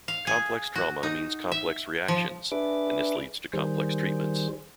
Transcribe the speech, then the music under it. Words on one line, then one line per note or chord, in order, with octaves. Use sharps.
Complex trauma means complex reactions and this leads to complex treatments.
F5
G#4
F#4
D#4
E5
F3
D4 G#4 B4 E5 D6
D#3 G3 G#4 C5